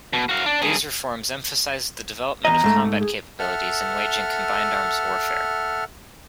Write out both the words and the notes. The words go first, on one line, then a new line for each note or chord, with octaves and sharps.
These reforms emphasized the development of combat capabilities in waging combined arms warfare.
B2
F#4 F5
D4
G2 G#4
E2 D#5 A#5
G#2 A3
G#4
A4 E5 F#5 F6